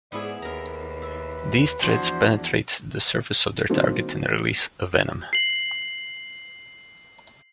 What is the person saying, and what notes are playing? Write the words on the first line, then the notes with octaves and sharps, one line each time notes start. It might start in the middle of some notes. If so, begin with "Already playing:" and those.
These threads penetrate the surface of their target and release a venom.
G#2 B3 E4 G#4 D5
D#2 A#4 B4 A#5
E5
E2 F3 D4 F#4 C5 A5
D3 F#3 A#3 C4 D#4
C7 F#7